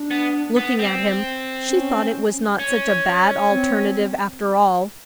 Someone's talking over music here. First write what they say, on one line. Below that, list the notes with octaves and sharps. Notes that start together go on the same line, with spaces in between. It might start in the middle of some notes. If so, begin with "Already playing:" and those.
Looking at him, she thought it was not such a bad alternative, after all.
Already playing: D4
B3
B3
C4
C#4
C#4
C4